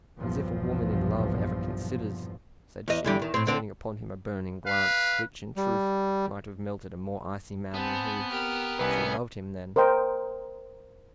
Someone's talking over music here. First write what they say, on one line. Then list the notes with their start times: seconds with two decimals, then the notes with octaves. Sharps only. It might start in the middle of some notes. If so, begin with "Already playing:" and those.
"As if a woman in love ever considers!" said she, turning upon him a burning glance, which in truth might have melted a more icy man than he. --She loved him then!
0.19 B1 E2 G2 A#2 F3
2.88 E2 D#5
3.04 E2 D3 G3
3.19 E2 D#3
3.34 A2 C4
3.47 D3 C4 D4
4.65 B4 F5
5.57 G3
7.74 B3 C4 G#5 A5
8.30 G4 A#4 F6
8.79 C2 B3 C#4 B4 D#5 G#5
9.76 A#4 C5 D#5 G5